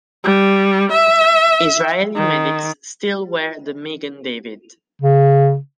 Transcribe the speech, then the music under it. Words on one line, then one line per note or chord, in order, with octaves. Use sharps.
Israeli medics still wear the Magen David.
G3
E5
D#3
C#3